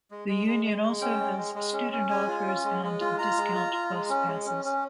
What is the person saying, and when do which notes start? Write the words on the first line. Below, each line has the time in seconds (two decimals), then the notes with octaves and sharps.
The union also has student offers and discount bus passes.
0.11 G#3
0.28 G#3
0.47 G#3
0.65 G#3
0.83 G#3
1.01 C#4 G5
1.19 G#3
1.38 G#3
1.55 G#3
1.73 C#4
1.92 C#4
2.10 G#3 G#5
2.28 F4
2.46 C#4
2.64 G#3
2.83 G#3
3.00 F4
3.18 F4 A#5
3.37 G#3
3.55 F4
3.73 F4
3.91 G#3
4.09 C#4
4.28 G#3
4.46 C#4
4.65 C#4